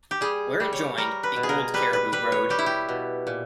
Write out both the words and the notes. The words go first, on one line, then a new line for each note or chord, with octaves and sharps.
Where it joined the old cariboo road.
G4
G3 G#4
G3
C#5
G3 A#4
B4
B2
G#4
A#4
G3 B4
B4
G3 B4
C#5
G3 G4
E4
G4
B2
A#2